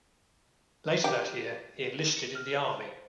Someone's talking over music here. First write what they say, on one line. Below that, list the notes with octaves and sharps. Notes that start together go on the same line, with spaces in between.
Later that year, he enlisted in the army.
G4
A4
C#7
F6
C5
C5